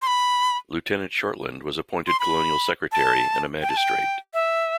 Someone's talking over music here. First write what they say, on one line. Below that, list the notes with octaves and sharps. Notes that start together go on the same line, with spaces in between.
Lieutenant Shortland was appointed colonial secretary and a magistrate.
C6
B5
C6
B5
A5
G5
A5
G5
E5